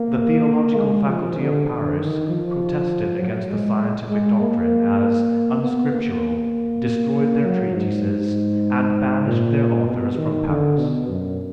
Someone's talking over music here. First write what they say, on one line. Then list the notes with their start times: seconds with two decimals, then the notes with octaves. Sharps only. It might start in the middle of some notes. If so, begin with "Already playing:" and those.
The theological faculty of Paris protested against the scientific doctrine as unscriptural, destroyed their treatises, and banished their authors from Paris.
Already playing: A#3
0.77 G#3
1.07 F3
1.37 D3
1.67 D3
1.98 D#3
2.28 F3
3.19 F#3
3.50 G#3
4.10 G#3
4.41 A#3
5.62 B3
5.92 A#3
7.45 F#3
7.75 G#2
9.27 A#2
9.87 B2
10.17 D#3
10.48 D3
10.79 B2
11.09 F#2